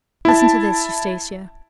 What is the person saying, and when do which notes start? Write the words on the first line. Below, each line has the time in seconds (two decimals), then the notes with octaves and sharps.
Listen to this, Eustacia.
0.25 E4 A5